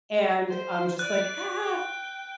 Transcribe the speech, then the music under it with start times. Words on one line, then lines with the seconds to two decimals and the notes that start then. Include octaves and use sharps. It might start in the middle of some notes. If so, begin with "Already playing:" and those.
and I'm just like, "Ah!"
0.48 C5
0.99 D5 F#6
1.60 G5